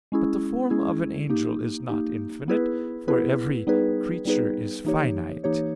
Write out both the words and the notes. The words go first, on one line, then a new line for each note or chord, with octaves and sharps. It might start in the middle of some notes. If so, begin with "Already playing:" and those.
But the form of an angel is not infinite, for every creature is finite.
G#3 C#4 E4 G#4
G#3 C#4 E4 G#4
A#3 D#4 G4
A#3 D#4 G4
B3 E4 G#4 B4
B3 E4 G#4 B4
G3 B3 D#4 G#4 B4
G3 B3 D#4 G#4 B4
E3 A#3 D#4 G4 C#5
E3 A#3 D#4 G4 C#5